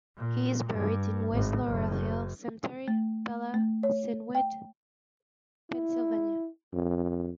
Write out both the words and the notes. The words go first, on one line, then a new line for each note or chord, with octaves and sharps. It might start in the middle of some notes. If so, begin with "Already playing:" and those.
He is buried in West Laurel Hill Cemetery, Bala Cynwyd, Pennsylvania.
A#2
G2
G#1 A2
F#1 F#2
A3
A3
C#5
G5
E4
F2